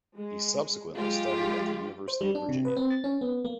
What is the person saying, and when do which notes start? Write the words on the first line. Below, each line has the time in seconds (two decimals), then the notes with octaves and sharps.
He subsequently studied at the University of Virginia.
0.15 G#3
0.95 F#3 G#3 F4 G4
2.08 C5
2.21 G3
2.35 D4
2.49 C3
2.65 B4
2.77 C4
2.90 A6
3.04 C#4
3.21 B3
3.45 A#3